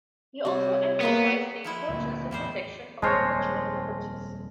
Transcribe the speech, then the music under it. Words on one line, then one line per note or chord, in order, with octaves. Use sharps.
He also emphasized the importance of protection of the cultural properties.
C3 G3 C#5
A#3 B3 G#4 C6 C#6
F3 G#3 E4
D2 A#2
E2 A2 F3 G3 C5
D#1 F2 G#3 C5 C#5 A5 F6 A#6